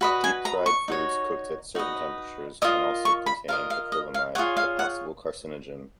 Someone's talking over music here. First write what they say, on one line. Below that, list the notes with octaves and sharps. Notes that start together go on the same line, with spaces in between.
Deep-fried foods cooked at certain temperatures can also contain acrylamide, a possible carcinogen.
F#4 B4 D#5 B5
G#5
A#5
C#6
D#4 F#4 C#5
D#4 F#4 B4 D#5
F4 A#4 D#5 D#6
C#6
B5
F4 A#4 D#5 F5
F5
D#5
F5
F4 G#4 C#5 F#5
F5
F#5